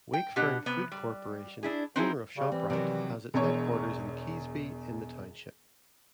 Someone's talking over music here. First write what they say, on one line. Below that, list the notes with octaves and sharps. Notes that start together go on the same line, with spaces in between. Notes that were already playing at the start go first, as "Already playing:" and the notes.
Wakefern Food Corporation, owner of ShopRite, has its headquarters in Keasbey in the township.
G5
B2 D4 G4 F#5
C3 B3
G3
D4 E4 G#4
C4 D#4 E4 G#4
C#3 G3
E3 C4
C3 D#3 F#3
E1 E2 C#5